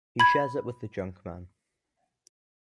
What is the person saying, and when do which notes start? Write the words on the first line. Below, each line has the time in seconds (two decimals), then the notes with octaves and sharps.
He shares it with the junkman.
0.20 B5 G#6